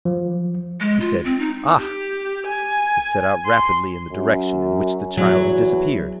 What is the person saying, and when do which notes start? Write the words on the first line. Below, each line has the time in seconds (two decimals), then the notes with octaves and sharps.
He said, "Ah!" and set out rapidly in the direction in which the child had disappeared.
0.05 F3
0.80 G#3
1.01 F4
1.25 C4
1.39 D#4
1.79 G4
2.47 G#5
3.46 C6
4.12 F#2
5.17 E2 F#3